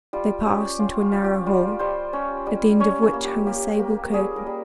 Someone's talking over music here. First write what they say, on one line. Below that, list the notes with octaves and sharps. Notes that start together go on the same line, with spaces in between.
They passed into a narrow hall, at the end of which hung a sable curtain.
G3 F4
C#4 G4
C#4 F4
F4
F4
G4
G3 F4
G3 C5
C#4
G3
C#4 C#5
C#5
A#3
G4
A#3 G4
A#3
G3 G#4
A#4
G3